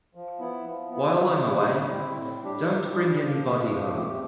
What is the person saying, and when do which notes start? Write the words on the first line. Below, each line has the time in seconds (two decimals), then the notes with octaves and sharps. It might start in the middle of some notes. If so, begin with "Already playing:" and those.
While I’m away, don’t bring anybody home.
0.15 F3
0.40 B3 E4
0.65 F3
0.90 B3 E4
1.15 G3
1.41 C4 E4
1.66 G3
1.92 C4 E4
2.17 A2
2.43 G3 D4 G4
2.68 A2
2.93 G3 D4 G4
3.18 F3
3.45 A3 C4 G4
3.70 F3
3.95 A3 C4 G4